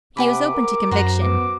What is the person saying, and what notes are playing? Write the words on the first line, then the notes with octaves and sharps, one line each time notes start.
He was open to conviction.
C3 F#5 G#5 B5 D6
A#4
F#2 F#4 C5 A#5
B3 D6